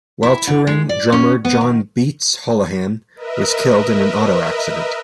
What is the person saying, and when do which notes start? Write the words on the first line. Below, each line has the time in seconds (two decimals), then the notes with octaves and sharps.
While touring drummer John "Beatz" Holohan was killed in an auto accident.
0.23 E4
0.47 D3
0.67 G#3
0.89 D5
1.12 C#4
1.45 B3
1.61 D#3
3.15 A#4 B4 D#5 E5